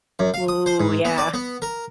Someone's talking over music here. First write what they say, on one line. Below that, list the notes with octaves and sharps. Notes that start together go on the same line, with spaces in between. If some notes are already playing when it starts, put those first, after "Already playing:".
Ooh, yeah.
F#2
F5
D#6
C5
G#2
B3
D5
B3
A#4